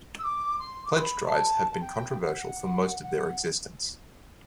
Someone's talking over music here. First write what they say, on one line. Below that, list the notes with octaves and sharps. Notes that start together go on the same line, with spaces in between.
Pledge drives have been controversial for most of their existence.
E6
D6
C6
D6
C6
B5
B5
A5
G5
F#5
F#5